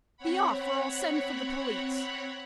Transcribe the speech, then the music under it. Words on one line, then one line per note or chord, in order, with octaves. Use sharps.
Be off, or I'll send for the police.'
C4 C#5 F#5 B5